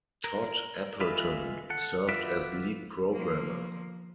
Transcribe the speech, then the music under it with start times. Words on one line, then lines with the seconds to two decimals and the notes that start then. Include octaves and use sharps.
Todd Appleton served as lead programmer.
0.24 A#4
1.00 G#3 F4 B4 E5
1.70 A4 F#5
2.09 F4 F#4 B4 D5 E5
3.12 F3 A#3